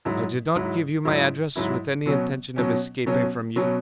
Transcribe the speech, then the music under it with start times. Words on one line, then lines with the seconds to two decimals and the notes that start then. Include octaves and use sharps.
I did not give you my address with any intention of escaping from you.
0.05 G#2 F#3 E4
0.55 G#2 F#3 E4
1.05 G#2 F#3 E4
1.56 G#2 F#3 E4
2.06 B2 F#3 C#4
2.56 B2 F#3 C#4
3.06 B2 F#3 C#4
3.56 B2 F#3 C#4